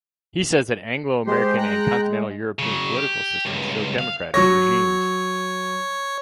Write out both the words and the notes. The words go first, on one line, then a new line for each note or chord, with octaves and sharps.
He says that Anglo-American and Continental European Political systems show democratic regimes.
G#3 G4 C5
G5 A#5 F#6
C#3 F#3
G4
C#2 G2
F5
F#3 C#5 C#6 A#6